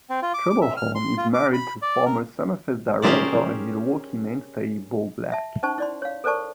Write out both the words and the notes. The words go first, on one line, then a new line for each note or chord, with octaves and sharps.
Trebelhorn is married to former Summerfest director and Milwaukee mainstay Bo Black.
C4
F4
D6
D6
E5
F6
C6
F4
D6
B5
D5
A#4
C#4 G4 G#4 A#4 C5 D5
E5 A5
C#4 D#4 C5 A5 C#6
E4 D5 C6
C#5 F5
A4 A#4 C5 D5 A5 C#6